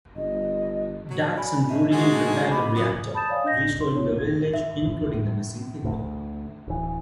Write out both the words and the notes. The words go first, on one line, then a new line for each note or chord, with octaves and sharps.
Dax and Rurigan repair the reactor, restoring the village, including the missing people.
G1 D#5
F#3
D5 G#5 B5
A2 D#5 E5
D3 G#3 D#4 F#4 G#5
E4 D#5 B5 D6
F#2 B3 F#4 A#4 D#6
A5 B5 D#6 G6 A6 E7
C#5 D5 F5 G#5 D#6
D4 D#5 G6 A#6
C6
D4 E4 C#5
G#6
E5
D2
D1 E3